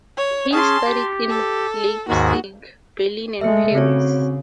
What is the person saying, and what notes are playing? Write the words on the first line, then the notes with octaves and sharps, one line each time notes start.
He studied in Leipzig, Berlin, and Paris.
C#5
C#4 G#4 A5 C6
G4
A4
D#2 G#2 D#3 F#4
G#3 A3 E5 F6 C#7
C#3 C4 F#4 C#5